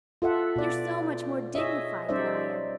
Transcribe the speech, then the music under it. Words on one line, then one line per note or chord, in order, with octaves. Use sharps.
You're so much more dignified than I am.
F4 A4 E5 F#5
B2 D5
G#4 C#5 D#5 E5
G3 C#4 D#4 C5 D5 E5